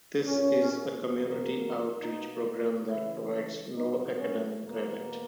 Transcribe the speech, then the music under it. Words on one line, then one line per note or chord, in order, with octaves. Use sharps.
This is a community outreach program that provides no academic credit.
A#2 A#3 C#4
E2 C#3 F#3 A#3
B2 A#3 D#4
C#3 E3 G#3 E4
A#2 F#3 B3 D#4
C#4
E2 B2 A#3